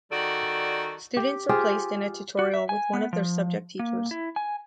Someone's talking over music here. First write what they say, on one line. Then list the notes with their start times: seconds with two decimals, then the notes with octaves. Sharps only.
Students are placed in a tutorial with one of their subject teachers.
0.12 D#3 G3 F#4 A4 D5
1.17 G4
1.49 F4 G4 G#4 C5
2.39 F#4
2.54 E5
2.69 G#5
2.93 B3
3.13 F3
3.79 A#3
4.11 E4
4.36 G#5